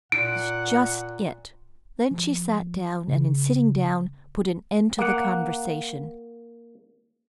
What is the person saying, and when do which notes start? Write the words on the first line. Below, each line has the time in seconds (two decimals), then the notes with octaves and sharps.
"That is just it." Then she sat down, and in sitting down put an end to the conversation.
0.12 A#2 F#5 D7
2.11 F3
3.08 C#3
4.99 A#3 F#5